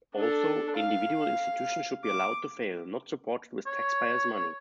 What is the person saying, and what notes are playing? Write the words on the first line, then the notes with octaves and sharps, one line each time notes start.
Also, individual institutions should be allowed to fail, not supported with taxpayers' money.
D4 A4
F5
D6
C#5